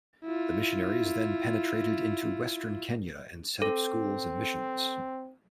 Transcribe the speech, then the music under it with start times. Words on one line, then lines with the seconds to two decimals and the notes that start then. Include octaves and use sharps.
The missionaries then penetrated into western Kenya and set up schools and missions.
0.24 E4 F4
3.62 C4 A4